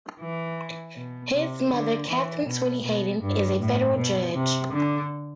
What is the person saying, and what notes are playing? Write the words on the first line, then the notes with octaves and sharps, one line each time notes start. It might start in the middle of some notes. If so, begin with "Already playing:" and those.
His mother, Katharine Sweeney Hayden, is a federal judge.
E3
B2
C3
D3
E3
B2
B2
G2
A2
B2
C3
D3